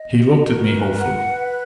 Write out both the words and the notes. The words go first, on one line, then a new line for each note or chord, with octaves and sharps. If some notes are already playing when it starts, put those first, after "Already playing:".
He looked at me hopefully.
Already playing: D#5
F#4
A#4
B4
F#5
B4